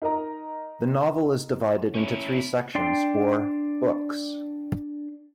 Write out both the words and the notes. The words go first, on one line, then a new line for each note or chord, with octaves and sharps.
The novel is divided into three sections or 'books'.
D#4 A#4 D#5 A#5
C#4 E4
D4 D5 G5 C6